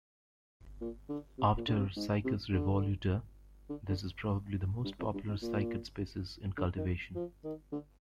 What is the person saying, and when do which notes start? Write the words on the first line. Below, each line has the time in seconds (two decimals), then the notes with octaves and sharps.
After "Cycas revoluta", this is probably the most popular cycad species in cultivation.
0.81 A#2
1.09 D3
1.38 C3
1.57 A#2
1.68 D3
1.77 C3
1.96 G#2
2.24 C3
2.53 D3
3.69 D3
3.88 D3
4.85 G2
4.99 F2
5.14 G2
5.28 G#2
5.42 A#2
6.57 D3
6.77 D#3
7.15 F3
7.44 D#3
7.72 D3